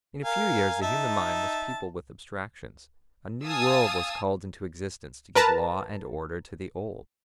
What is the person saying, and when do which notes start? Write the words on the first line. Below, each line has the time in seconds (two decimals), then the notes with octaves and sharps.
In a few years the human mind was peopled with abstractions; a new world was called into existence to give law and order to the old.
0.24 A#4 F5 G#5
0.82 D#4 E5 A5
3.44 F5 G#5 A5 D#6 E6
5.35 A#4 B4 A5 A#5